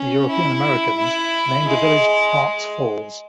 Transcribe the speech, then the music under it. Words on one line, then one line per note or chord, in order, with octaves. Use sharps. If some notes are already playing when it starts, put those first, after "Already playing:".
The European Americans named the village Harts Falls.
Already playing: C#4
E4
E4
G#3